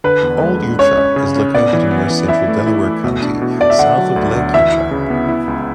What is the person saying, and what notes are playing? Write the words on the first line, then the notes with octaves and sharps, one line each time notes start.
Old Eucha is located in west-central Delaware County, south of Lake Eucha.
D3 B4
E2
G#3
G#3
C#4 C#5
C#4
C#3
C#4
B3 D5
E3
B3
E3
E4 E5
A3
E4
A3
B2
D4
B2
B2 D5
E5
D3 F#5
F#3
D2
D2
E3 E5
E4
C#3
B3
E4
C#2